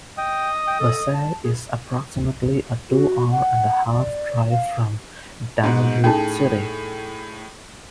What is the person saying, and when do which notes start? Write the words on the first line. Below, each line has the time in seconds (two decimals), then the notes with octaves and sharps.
Basay is approximately a two-hour-and-a-half drive from Dumaguete City.
0.18 D#5 G5
0.67 G5
0.80 A4
1.14 A5
1.44 G#4
2.90 F#4
3.31 F#5
3.89 D5
4.50 F5
5.63 G#2 B2
6.04 A2 C#4 D#4 G#4